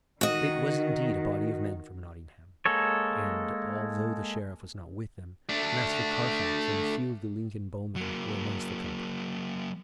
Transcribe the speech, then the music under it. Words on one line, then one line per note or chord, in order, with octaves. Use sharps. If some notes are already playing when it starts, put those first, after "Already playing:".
It was indeed a body of men from Nottingham; and, although the Sheriff was not with them, Master Carfax and a few of the Lincoln bowmen were amongst the company.
D#3 F#4 D#5
G#3 A#3 A4 C#5
A3 D4
F#3 A#3